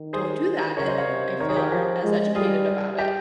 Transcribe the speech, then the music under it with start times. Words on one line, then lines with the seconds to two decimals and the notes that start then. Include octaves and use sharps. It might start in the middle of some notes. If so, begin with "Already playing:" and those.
don't do that, and I feel aren't as educated about it.
Already playing: D#3
0.13 G#4 C5
0.45 D#3
0.77 C#3 A#4 C#5
0.87 C5 D#5
0.98 C#5 F5
1.08 C3
1.40 D#3 A#4 C#5
1.49 G#4
1.56 G4 A#4
1.72 F3 G4
2.04 G#3
2.35 G3 F4 G#4
2.99 G4